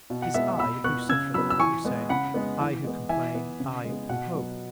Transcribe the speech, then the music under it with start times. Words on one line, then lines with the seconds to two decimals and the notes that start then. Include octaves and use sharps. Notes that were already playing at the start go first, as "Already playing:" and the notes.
It is I who suffer, we say, I who complain, I who hope.
0.10 B2
0.22 F#5
0.34 G#3 B3 E5
0.59 B2 B5 E6
0.84 B3 C#6 F#6
1.09 C#3 E6 G#6
1.34 F#3 B5 E6
1.38 B3
1.50 E6
1.59 E3 G#5 C#6
1.85 G#3 B3
2.09 C#3 F#5 B5
2.34 G#3 B3
2.59 E3
2.84 G#3 B3
3.09 E3 E5 G#5
3.35 B3
3.60 C#3
3.85 G#3 B3
4.09 B2 F#5
4.34 F#3 B3